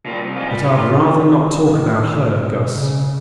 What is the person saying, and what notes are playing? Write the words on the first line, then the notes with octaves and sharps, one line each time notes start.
But I'd rather not talk about her, Guss.
A#2 G3
C2
F3 G#3
G3
B3 E4
F4
D#3
B2
B2
C#3